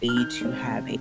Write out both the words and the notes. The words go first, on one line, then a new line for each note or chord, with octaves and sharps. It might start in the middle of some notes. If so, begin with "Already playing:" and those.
stage to have a
F6
D#3 G6
G#3 C4
C3